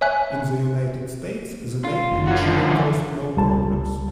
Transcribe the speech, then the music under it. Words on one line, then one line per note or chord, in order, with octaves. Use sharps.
In the United States the name initially caused no problems.
C#5 E5 G#5 F#6
F4
F#1
C#4 F#4
D3 F3
E3 F#3
C#2 G3 A5